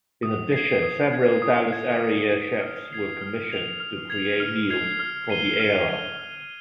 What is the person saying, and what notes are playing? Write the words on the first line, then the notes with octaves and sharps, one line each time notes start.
In addition, several Dallas-area chefs were commissioned to create meals for the airline.
D#6
G#6 C7
D#6
G#6 C7
D#6
G#6 C7
D#6
G#6 C7
F6
G#6 C7 F7
F6
G#6 C7 F7
F6
G#6 C7 F7
F6
G#6 C7 F7
F6
C7 D#7 G7
F6
C7 D#7 G7
F6